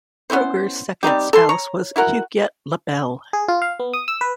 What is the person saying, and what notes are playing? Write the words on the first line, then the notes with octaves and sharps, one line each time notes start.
Kroeger's second spouse was Huguette Labelle.
B3 C#4 E4 C5
G3 C4 D#4 G4
A4 A5 C6
C#5 A#5
E4 F#4 A#4 F#5
G#4
F4
F5
B3
D#6
E6
B4